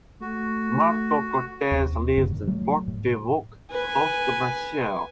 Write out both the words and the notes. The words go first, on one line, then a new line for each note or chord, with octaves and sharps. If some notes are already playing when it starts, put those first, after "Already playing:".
Marco Cortes lives in Port-de-Bouc, close to Marseille.
A3 F#4
D#2 C4
F#2 A#2 C#3
D#3
F#3 G3 A3
A2
B4 G#5